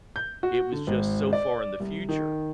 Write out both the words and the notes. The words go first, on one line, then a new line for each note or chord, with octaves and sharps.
It was just so far in the future
G6
F#4
D3
G#1
D5
C2
D#3